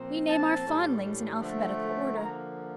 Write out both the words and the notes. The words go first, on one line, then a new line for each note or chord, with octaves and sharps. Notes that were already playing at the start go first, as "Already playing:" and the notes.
We name our fondlings in alphabetical order.
Already playing: A#2 F3 C4
A5
A2 E3 G3 D4
D3 F3 A3
D3 F3 A#3 A#5